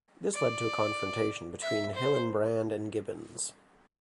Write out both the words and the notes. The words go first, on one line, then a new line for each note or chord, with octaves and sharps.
This led to a confrontation between Hillenbrand and Gibbons.
D5
E5
C5